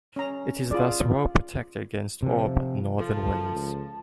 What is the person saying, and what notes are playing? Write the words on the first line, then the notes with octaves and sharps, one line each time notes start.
It is thus well protected against all but northern winds.
C#4 A#5
F4 G#4 D5
C3 F3
F3 A4 A5
C#2